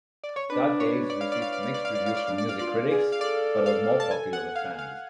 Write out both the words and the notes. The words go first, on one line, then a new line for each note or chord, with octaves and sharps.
"Dark Days" received mixed reviews from music critics but was more popular with fans.
D5
C#5
D4 B4
C#5
D5
F5
D5
F5
D5
F5
D5
F5
D5
F5
D5
D4 F5
D5
F5
F4 D5
G#4
F5
A4 D5
F5
A5
G#5
F#5
F5
F5